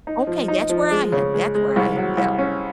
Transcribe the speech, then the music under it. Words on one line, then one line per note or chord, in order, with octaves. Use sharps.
Okay, that's where I am. That's where I am, yeah.
D#4
F3
D#4
F3
G#3
C#3
G#3
G#3
C2
F#3
C2
C#4